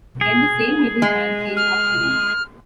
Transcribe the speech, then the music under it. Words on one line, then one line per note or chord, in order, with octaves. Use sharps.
Then the same little man came up the room.
G#4
G#3
F6